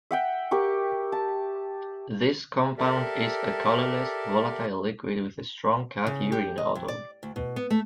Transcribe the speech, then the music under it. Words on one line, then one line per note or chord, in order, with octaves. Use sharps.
This compound is a colorless, volatile liquid with a strong cat urine odor.
E5 F#5 G5
G4 A#4 C#6
A5
G4 A4 A#4 D5 E5
C#3
G4
D#5
F2
D5
D2
B2
B3
A3